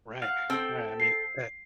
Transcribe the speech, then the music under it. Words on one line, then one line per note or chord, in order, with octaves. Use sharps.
Right, right. I mean, at
F5 F#5
C4 A4 G5
C7